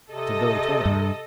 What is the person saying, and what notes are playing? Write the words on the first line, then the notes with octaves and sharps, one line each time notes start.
So Billy told him.
C3 A4 D#5
G2